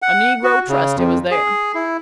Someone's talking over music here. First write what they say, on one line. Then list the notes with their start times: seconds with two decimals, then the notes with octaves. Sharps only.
A negro trusty was there.
0.02 F#5
0.44 F#4
0.69 C#3
0.97 F2
1.31 G#4
1.75 E4